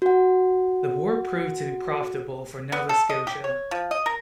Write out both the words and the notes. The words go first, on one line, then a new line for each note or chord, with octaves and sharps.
The war proved to be profitable for Nova Scotia.
F#4 F#5
B3
A4
D#5
G4
C#5
F3
D#5
A#4